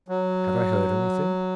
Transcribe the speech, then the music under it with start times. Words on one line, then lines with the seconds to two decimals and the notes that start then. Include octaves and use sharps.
Had I heard anything?
0.08 F#3